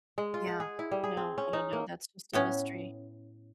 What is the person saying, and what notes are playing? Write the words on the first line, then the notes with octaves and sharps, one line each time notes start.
Yeah. No, I don't know, that's just a mystery.
G#3
F4
F#5
G#4
E4
G3
G#4
C4
C#4
D#4
A#3
A2 B3 C#4